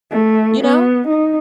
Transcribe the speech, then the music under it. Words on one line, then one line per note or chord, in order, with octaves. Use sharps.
You know?
A3
B3
D#4